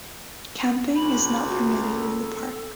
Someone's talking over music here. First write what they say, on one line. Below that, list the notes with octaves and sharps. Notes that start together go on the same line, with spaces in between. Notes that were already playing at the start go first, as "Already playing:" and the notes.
Camping is not permitted in the park.
C#2 B5
F#4
A4